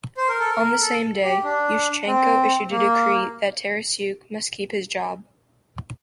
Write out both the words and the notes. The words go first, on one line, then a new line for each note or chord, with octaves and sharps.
On the same day, Yushchenko issued a decree that Tarasyuk must keep his job.
C5
A#4
A4
A#4
A4
G4
D4
C4
A#3